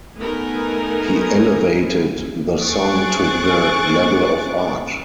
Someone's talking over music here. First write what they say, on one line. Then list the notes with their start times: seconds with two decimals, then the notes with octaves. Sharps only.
He elevated the song to the level of art.
0.19 A3 B3 D#4 A#4 G#5
2.63 G#4 C5 C#6 F#6 A6 D7